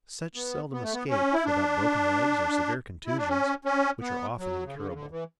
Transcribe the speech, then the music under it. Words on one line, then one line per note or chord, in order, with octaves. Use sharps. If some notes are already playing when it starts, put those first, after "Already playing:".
Such seldom escape without broken legs or severe contusions, which are often incurable.
B3
B3
A3
B3
C#4
E4
D4
E4
D4
C#4
C#4
B3
F#3
C#3
D3
C#3
D3
E3